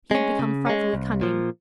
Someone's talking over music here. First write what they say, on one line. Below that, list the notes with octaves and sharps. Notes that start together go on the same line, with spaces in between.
He had become frightfully cunning.
G#3 C#4
C#3
G#3 C#4
C2
A#2 F3